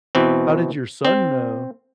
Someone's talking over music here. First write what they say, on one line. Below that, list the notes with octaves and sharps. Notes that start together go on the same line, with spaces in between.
How did your son, uh,
B2 E3 C4
C4